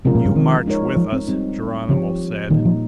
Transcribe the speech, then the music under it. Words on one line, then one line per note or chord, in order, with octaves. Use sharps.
"You march with us," Geronimo said.
C3 F3 G#3 C#4 F4 A#4
A#2
G2
D#3
G#3 D#4 A#4 C#5
F3
C4
G3 C4 D#4
C#3 F3 C4 G4 C#5
A#2 D#3 G3 A#3 D#4
F3